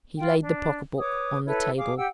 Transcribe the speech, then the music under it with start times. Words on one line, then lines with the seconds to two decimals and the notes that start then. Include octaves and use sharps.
He laid the pocket-book on the table.
0.18 F4 G5
0.41 D4
0.98 B4 C#5 D6 D#6
1.45 E4 A4 B4 C#5
1.77 G#4 F5 D6
1.97 G4 F#5 G5 E6